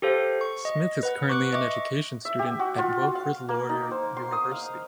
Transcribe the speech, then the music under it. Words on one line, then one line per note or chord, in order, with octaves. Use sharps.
Smith is currently an education student at Wilfrid Laurier University.
G4 A4 C5 F5
C#6
D#5
B4 F#5
C#6 D6 F#6
D#5 E5 C#6 D6
E5
G4
F#4
F4
F#4
F5
A#3
D#4
C5
C6
D#6
F5